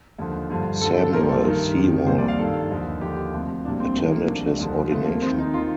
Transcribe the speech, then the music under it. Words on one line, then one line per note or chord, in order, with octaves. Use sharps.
Samuel Sewall attended his ordination.
D#2 D3 F3
G2 D3 F3
G2 D3 F3 A4
A4
C2 A#2 F3 A#4
A4
G2 D#3 A#4
F2 C3 D#3
C2 A#2 F3 C5
D5
F5
G2 D#3 A4
D#2 D3 F3
D#2 D3 F3 G4
D2 C3 F3
C2 A#2 F3 D4
C4
D2 C3 D#3 A3
A#3
C2 A#2 F3 D4
D#2 D3 F3
D2 C3 F3 A3
A#3
D#2 D#3 C4
D#4
F4
D#3